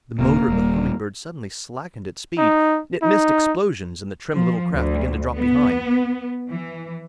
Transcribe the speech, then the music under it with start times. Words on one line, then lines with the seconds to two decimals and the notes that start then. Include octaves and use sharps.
The motor of the Humming-Bird suddenly slackened its speed, it missed explosions, and the trim little craft began to drop behind.
0.19 D1 C3 A#3
0.48 D#1 G3
2.38 D#4
3.02 D#4
4.34 F3
4.74 D2
5.35 B3
6.50 E3